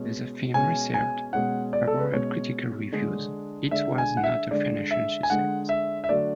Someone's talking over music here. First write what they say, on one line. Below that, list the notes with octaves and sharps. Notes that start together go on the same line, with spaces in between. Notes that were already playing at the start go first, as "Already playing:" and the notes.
The film received favorable critical reviews, it was not a financial success.
Already playing: B2 G#3 C#4
B2 G#3 C#4 G#5
G#5
B2 G#3 C#4 F#5
D5
A4
B4
B2 G#3 C#4 C#5
D3 G#3 D4
D3 G#3 D4 E5
G#5
F#5
E5
D3 G#3 D4 D5
E5
G#5
D3 G#3 D4 F#5
E5
E5
D3 F#3 A3 D4 D5